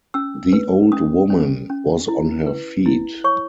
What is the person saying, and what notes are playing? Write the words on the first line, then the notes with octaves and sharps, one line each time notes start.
The old woman was on her feet.
C#4 E6
B4
C#4 D#6
C#4
C#4
E4
B4
E4
C#5 C#6